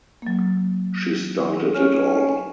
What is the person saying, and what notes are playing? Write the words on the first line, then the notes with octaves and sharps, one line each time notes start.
She started it all.
F#3 A#3
C#4 F6